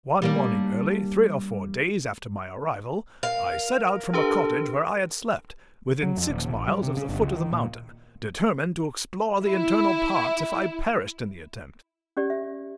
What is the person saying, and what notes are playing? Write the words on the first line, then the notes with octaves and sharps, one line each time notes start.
One morning early, three or four days after my arrival, I set out from a cottage where I had slept, within six miles of the foot of the mountain, determined to explore the internal parts, if I perished in the attempt.
G3 A#3 D4
A#4 F5
D4 G4 A4 B4
F#3
F2
D#1
A1
G3
C3
C#3
G1
C#2
D#3
A#2
E4
C#4 G4 D5
E5